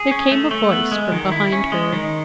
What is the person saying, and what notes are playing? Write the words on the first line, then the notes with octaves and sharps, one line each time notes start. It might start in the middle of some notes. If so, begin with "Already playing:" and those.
There came a voice from behind her.
Already playing: G#4
C#4
A3
A3
B3
G#3
D#3
E4
C#4
G#3
D#3